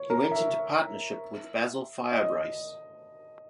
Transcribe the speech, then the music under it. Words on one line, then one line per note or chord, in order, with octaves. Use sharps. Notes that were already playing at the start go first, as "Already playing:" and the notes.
He went into partnership with Basil Firebrace.
Already playing: C#5
A#4
E5
D#5